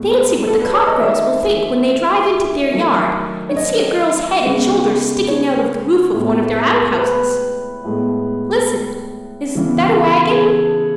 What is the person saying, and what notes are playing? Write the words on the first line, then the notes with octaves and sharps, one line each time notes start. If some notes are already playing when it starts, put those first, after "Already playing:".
Fancy what the Copp girls will think when they drive into their yard and see a girl's head and shoulders sticking out of the roof of one of their outhouses. Listen . . . is that a wagon?
Already playing: A2 G#3 B3
A4
B4
C#5
D#5
D#3 A3 E5
D#3 F#3 A3
C#5
D#5
C#3 G#3 B3
C#5
A2 G#3 B3
B4
A2 G#3 B3
C#3 E3 B3
G#4
A4